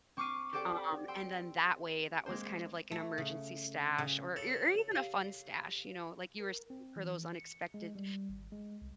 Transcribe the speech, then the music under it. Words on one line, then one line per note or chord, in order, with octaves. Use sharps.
Um, and then that way, that was kind of like an emergency stash or or or even a fun stash, you know, like you were saying for those unexpected,
C4 C#6 D6 F6 C7 D#7
G4 A4 C5 D5 F#5 G5
G5 C6 E6
G#3 A#3 C4 C5
A3
C#3
C#3
C#3 A4
G4 F5
A#4
C4
E3
C#7
G#3
G3
G#1
G#3
C2